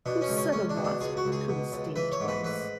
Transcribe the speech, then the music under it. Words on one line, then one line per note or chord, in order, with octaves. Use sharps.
Who said a wasp couldn't sting twice?
B2 D4
C#4
C#2
C#4
C#2 C#4
D4
B2
D4
C#2 G#4
F#4
C#2
G#4
B2
C#2
E3 B4
C#5
G#2
B4
A1 B4